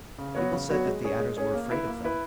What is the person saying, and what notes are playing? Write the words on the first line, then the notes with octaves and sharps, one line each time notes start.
People said that the Adders were afraid of them.
C#3
F#3 B3 F#4 C#5
C#3
F#3 B3 F#4 C#5
G#3
C#4 G#4 C#5
G#3
C#4 G#4 C#5
A#3
E4 B4
A#3
E4 B4